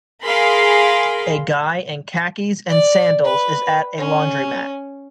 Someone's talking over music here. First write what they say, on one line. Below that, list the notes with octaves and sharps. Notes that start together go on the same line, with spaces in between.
A guy in khakis and sandals is at a laundry mat.
G#4 A#4 F5 B5 C6
D5
B4
C#4